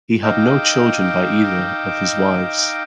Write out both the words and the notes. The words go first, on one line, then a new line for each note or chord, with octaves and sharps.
He had no children by either of his wives.
D#4 D#5 F5 G5 D6 E6